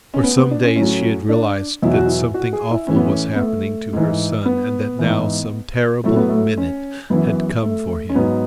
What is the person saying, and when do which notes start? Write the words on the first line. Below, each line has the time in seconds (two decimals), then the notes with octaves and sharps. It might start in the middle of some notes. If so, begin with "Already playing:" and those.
For some days she had realised that something awful was happening to her son and that now some terrible minute had come for him.
0.14 C#4
0.23 B3
0.38 B3
0.51 D4
0.63 C#4
0.76 A2 F#3 C#4
1.29 D4
1.82 E2 B2 F#3 E4
1.93 F#4
2.05 E4
2.34 F#4
2.53 G#4
2.70 E4
2.87 A2 E3 C#4
2.96 B3
3.05 C#4
3.35 B3
3.40 A3
3.93 G#2 E3
4.45 B3
4.99 G#2 E3
6.04 A2 F#3 A3
6.16 B3
6.29 A3
6.57 C#4
7.10 F#2 E3 B3
7.62 A3
8.09 C#4
8.15 G#2 F#3 B3